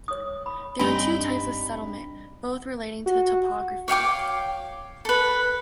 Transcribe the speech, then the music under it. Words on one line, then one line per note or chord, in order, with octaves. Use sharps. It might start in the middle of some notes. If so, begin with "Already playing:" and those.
There are two types of settlement, both relating to the topography.
C#5 D#6
B5
G2 C4 D#4 G#5 B5
F#4
C#5 F5 G5 D6
A4 B4